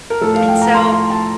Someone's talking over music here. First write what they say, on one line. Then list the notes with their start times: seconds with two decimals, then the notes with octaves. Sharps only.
And so
0.10 A#4
0.21 A2 F3 A4
0.35 F5
0.48 G5
0.62 A#5
0.74 C6
0.93 C6
1.10 A5